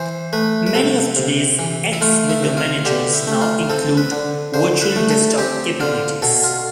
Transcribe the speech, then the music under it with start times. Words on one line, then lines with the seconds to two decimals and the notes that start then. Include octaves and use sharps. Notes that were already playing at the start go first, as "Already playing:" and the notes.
Many of today's X window managers now include virtual desktop capabilities.
Already playing: E3 C5
0.33 A3 B4
0.66 B4
0.74 C3 A4
1.16 C3
1.59 E3
1.93 E4
2.01 A3 F4
2.29 E4
2.43 C3
2.57 F4
2.85 D3 G4
3.13 E4
3.27 A3
3.41 F4
3.70 C4 A4
3.97 B4
4.12 D3
4.54 D3 C5
4.82 B4
4.96 A3
5.10 A4
5.38 C4 G4
5.80 D3 F4
6.22 B2 A4
6.44 F4